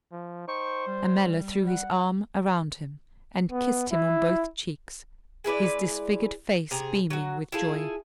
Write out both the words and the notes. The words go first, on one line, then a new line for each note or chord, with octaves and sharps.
Ammella threw his arm around him and kissed him on both cheeks, his disfigured face beaming with joy.
F3
D#4 C5 G5 C#6
G3
F#5
B3
E4
G#3 E4 B4 D5
C3 G#4 A#5
F#3 F#4
E4 F4 G#4 A4